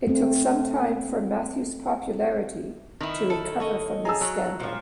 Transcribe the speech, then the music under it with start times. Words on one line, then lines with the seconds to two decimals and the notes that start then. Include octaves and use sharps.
It took some time for Matthews' popularity to recover from this scandal.
0.07 A3 C4
3.01 D#3 E4 B4
3.30 A4
3.60 A4 C#5 D#5
4.05 G#4 A5 A#5 E6
4.21 F#3
4.60 A#2 F3